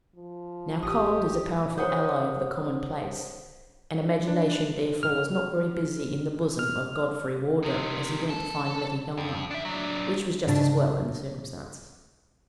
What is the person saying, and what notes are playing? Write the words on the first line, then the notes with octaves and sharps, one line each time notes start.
Now cold is a powerful ally of the commonplace, and imagination therefore was not very busy in the bosom of Godfrey Wardour as he went to find Letty Helmer, which was just as well, in the circumstances.
F3
A1 G4 D#6
F#4 C5 C#5 F#5 D#6 G6
D4
F6
F6
C3 D#3
A4
F2
D4 E5
F#3 D4
G#2 C#3 D4 A5